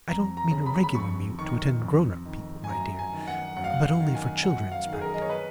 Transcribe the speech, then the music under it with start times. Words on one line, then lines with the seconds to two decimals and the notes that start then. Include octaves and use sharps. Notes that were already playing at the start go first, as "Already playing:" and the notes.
'I don't mean a regular mute to attend grown-up people, my dear, but only for children's practice.
0.08 F2 A#5
0.37 A#5
0.51 C#3
0.66 B5
0.83 B5
0.95 F2 C#6
1.39 D#3 C#6
1.82 F2
2.25 D#3
2.64 G#5
2.69 F#2 A#5
2.99 G#5
3.13 D#3
3.28 F#5
3.57 F#2 F#5
3.64 F5
3.73 F#5
3.85 F5
4.00 D#3
4.15 G#5
4.42 F#2 F#5
4.72 F5
4.86 D#3
4.93 G#4
5.01 A#4
5.14 D#5
5.22 C#5
5.29 B4